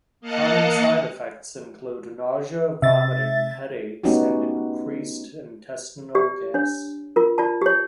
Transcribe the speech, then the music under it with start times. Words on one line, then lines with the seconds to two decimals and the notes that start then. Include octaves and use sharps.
Common side effects include nausea, vomiting, headaches, and increased intestinal gas.
0.21 A#3 D#5 F5 A5 F#6 C#7
2.82 C3 E5 A6
4.03 A3 B3 C#4 D#4 F#4 G4
6.15 G4 D5
6.54 D4 C#5
7.16 F4 A#4
7.38 F4 D5 A5
7.62 G4 C#5